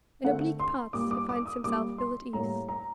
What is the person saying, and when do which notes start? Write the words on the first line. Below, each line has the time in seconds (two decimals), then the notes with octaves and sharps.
In oblique paths he finds himself ill at ease.
0.24 D3 A3 C4 F#5
0.59 C6
0.93 A#2 G3 A#3 D6
1.11 D6
1.29 D6
1.46 D#6
1.64 A#2 G3 A#3 D6
1.98 C6
2.33 A2 G3 A#3 A#5
2.69 A#5